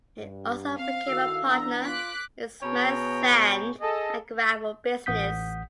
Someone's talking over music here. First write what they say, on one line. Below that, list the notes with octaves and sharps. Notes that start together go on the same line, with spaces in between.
He also became a partner in Smythe's sand and gravel business.
G2
C4 F5
D#3 E4 F#4 A4 E6
E3 B3 D4 A#5
F4 D6 F#6 B6
B2 B3 G#4 C#5 G5 A#5
G#4 A4 D#5
A1 F#5 D#6 G6 B6